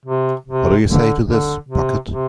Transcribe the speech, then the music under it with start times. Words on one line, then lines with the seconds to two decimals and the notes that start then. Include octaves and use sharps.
What do you say to this, Bucket?
0.05 C3
0.46 C3
0.88 D3
1.27 D3
1.68 C3
2.10 C3